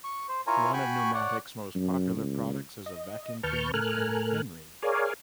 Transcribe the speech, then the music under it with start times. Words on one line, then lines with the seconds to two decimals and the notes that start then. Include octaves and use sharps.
One of Numatic's most popular products is a vacuum cleaner called Henry.
0.04 C#6
0.29 C5
0.47 E4 F4 A#4 C#5 G#5 A#5
0.73 F#4 G5 G#5 B5 C#6
1.14 C#5 D5 F#5
1.75 F#2
2.16 C#2
2.86 D#5
3.43 D#2 B4 A5 C#6 F6 G6
3.74 A2 A4 A#4 G#5 F6 F#6
4.82 G#4 A#4 C#5 D5 F5 G#5